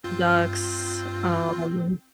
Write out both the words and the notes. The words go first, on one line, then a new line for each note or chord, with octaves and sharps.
ducks, um,
G2 C4 F4